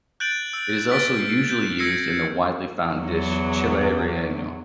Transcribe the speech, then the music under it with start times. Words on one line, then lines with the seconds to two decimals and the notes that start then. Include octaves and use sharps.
It is also usually used in the widely found dish "chile relleno".
0.20 F#6 G6 A6 D7 F#7
0.53 E6
0.89 F6 A6 B6 D7
1.50 G6
1.79 E6 G#6 A#6 C7 C#7
2.94 E2 F#3